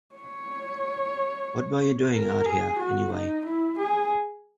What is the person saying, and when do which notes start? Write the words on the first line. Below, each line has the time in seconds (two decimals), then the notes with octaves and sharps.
What were you doing out here, anyway?
0.16 C#5
2.14 A#4
2.46 G#4
2.79 F#4
3.12 D#4
3.45 E4
3.79 G#4